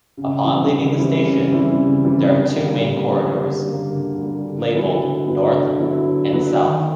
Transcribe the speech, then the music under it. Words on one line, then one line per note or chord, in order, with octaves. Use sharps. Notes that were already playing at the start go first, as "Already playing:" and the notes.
Upon leaving the station, there are two main corridors, labeled "North" and "South".
C#3
E3 G3 C4 E4
C#3
E3 G3 C4 E4
C#3
E3 G3 C4 E4
C#3
E3 G3 C4 E4
D3
G3 A#3
D3
G3 A#3
D3
G3 A#3
D3
G3 A#3
D3
F#3 B3 E4
D3
F#3 B3 E4
D3
F#3 B3 E4
D3
F#3 B3 E4
D#3